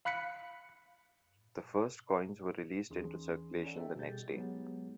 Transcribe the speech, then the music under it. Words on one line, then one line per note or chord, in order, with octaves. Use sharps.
The first coins were released into circulation the next day.
F5 B5 F#6 B6 C#7
D#2 E3 C#4 D#4 G#4 C6
C#4 D#4 A4 D5 F#5
A4 D#5 E5 G5
B2 G3 G4 G#4 G6 A6
F#3 G#3 B3 D#4 G4 G#4